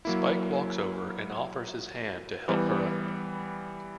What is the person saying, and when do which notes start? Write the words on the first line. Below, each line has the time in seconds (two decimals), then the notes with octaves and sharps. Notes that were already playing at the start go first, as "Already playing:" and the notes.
Spike walks over and offers his hand to help her up.
0.05 F#3 A#3 E4
2.48 E3 G3 B3